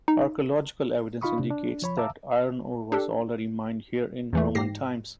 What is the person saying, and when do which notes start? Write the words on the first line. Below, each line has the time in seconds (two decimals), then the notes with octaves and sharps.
Archaeological evidence indicates that iron ore was already mined here in Roman times.
0.08 D#4
1.21 D#4 F4 F5 B5 C#6 D#6
1.38 C3 D4
1.50 D4
1.82 F3 C#5 B5
1.97 E5 F5 A5 A#5 D6 E6
2.92 D4 G4 A4
4.33 E2 E3 A3
4.55 G#2 G4 A#6 C7